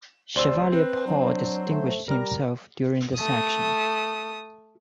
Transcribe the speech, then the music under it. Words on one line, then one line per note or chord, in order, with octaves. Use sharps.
Chevalier Paul distinguished himself during this action.
D2 C3 C5 D5 C6 E6
C4 B4
F#3 D4
A3
G3 A#4 A#5 F6
A3 D#6